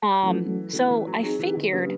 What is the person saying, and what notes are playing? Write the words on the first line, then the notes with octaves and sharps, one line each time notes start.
Um, so I figured,
E3 F#3 A3 C#4 F#4 A4
E3 A3 C#4 F#4 A4
E3
F#3
F#3 C4 D#4 G#4
E3
D#3
C#3 F#3 A#3 D4 G4 B4